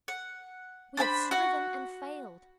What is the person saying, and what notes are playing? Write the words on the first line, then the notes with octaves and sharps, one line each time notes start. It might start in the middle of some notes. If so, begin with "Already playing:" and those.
We have striven and failed.
F#5
D4 C5 A5 B5
F#4 F#5